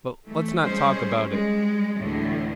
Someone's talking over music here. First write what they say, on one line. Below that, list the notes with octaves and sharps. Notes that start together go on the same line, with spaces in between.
But let's not talk about it.
E3 A3
G3 G#3 C#4 G#4 C5
G3 G#3
D2 A2 D3 E3